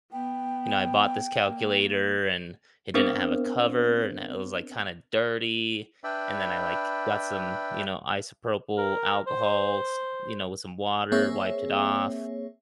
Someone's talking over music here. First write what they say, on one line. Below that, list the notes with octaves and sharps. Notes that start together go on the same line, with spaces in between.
you know I bought this calculator, and it didn't have a cover, and it was, like, kinda dirty, and then I, like, got some, you know, isopropyl alcohols, you know, with some water, wiped it off,
B3 G5
A#3
B3 C4 D4 A#4 C5
D4 B4 D5 E5 G5 B5
A#4
C5
A#3 C4 G#4 C#5 E5